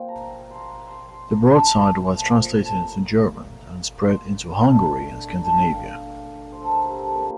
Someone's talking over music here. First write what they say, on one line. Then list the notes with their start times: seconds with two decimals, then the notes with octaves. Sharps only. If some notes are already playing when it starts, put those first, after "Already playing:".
The broadside was translated into German, and spread into Hungary and Scandinavia.
Already playing: A#2 F3 C4 F5 G5
0.08 A#5
0.24 A#5
0.50 C6
0.56 A#5
0.87 C6
1.08 C6
1.29 A#5
1.50 A5
1.61 A#5
1.74 A5
2.13 A#2 F3 A3
2.63 A5
2.76 A#5
4.02 C6
4.64 D3 A3 D#4
5.27 A#5
5.43 A5
5.58 G5
5.74 F5
6.52 C5
6.61 A4
6.68 A#4
6.84 G4
6.99 A4
7.15 A#2 F3 C4 A#4